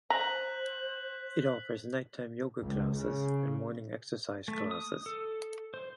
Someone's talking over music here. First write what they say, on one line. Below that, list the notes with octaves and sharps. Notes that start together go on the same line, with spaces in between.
It offers nighttime yoga classes and morning exercise classes.
C5 A#5 F#6 B6 F#7
C#2
C#3
A3
D#6
A4
C5